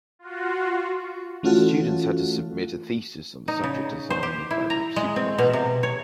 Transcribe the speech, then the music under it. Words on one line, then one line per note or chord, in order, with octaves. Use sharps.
Students had to submit a thesis on a subject assigned by their supervisor.
F4 F#4
E3 A3 C#4 F4 F#4 A4
D#4
C#3
C5
G4
E4
A#5
G#3
C4
B2
C3
C#5